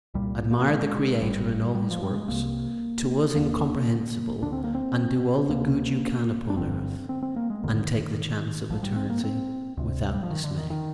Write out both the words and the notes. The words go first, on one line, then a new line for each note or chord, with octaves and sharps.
Admire the Creator, and all his works, to us incomprehensible: and do all the good you can upon earth; and take the chance of eternity, without dismay.
C2 A#2 G3
A#3
A#3
G#3
G#1 G#2 G3
G3
F3
G3
G#3
C2 C3 A#3
F1 D#2 D3 A#3
D2 D3 D4
C4
A#3
C4
D2 C3 A#3
D4
G1 G2 D3 C4
C4
C4
A#3
G#3
G1 F2 D3 D#3
A#1 G#2 F3
G3
C4
A#3
C4
D2 C3
G3
F3
D#3
D3
D#3
D#3